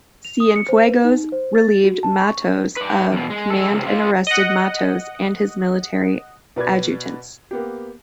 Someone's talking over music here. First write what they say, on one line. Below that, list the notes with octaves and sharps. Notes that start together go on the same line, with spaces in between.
Cienfuegos relieved Matos of command and arrested Matos and his military adjutants.
F7
D#6
C#7
C5
B4
D#4
C5
A6
F#4
A5
C#6
B4 D5
E2 B2
G#3
G#3 A4
C#2 C3
G#3 F4
D#5 F#5
B2 B4 D5 G#6
A#3 B3 G4